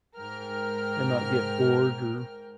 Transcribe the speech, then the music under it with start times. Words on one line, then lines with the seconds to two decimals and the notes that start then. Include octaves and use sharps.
And not get bored or
0.17 G#2 A#4 G5 F6